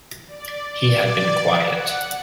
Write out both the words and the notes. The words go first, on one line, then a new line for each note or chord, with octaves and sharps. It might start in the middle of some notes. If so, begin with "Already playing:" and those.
He had been quiet.
D5
D5
F#5